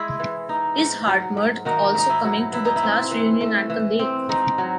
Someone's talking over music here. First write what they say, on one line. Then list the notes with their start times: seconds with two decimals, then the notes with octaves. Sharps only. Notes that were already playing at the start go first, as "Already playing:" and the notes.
Is Hartmut also coming to the class reunion at the lake?
Already playing: G#3 E4 G#4
0.20 E3
0.49 D#4
0.78 G#2
1.07 F#3
1.37 G#2
1.65 D#3 D#4 F#4
1.95 G#2 D#4
2.10 E4
2.25 F#3
2.53 E3 E4
2.65 D#4
2.76 E4
2.83 C4
3.11 E3
3.41 A3
3.70 E3
3.99 C4
4.29 G#2 D#4
4.58 F#3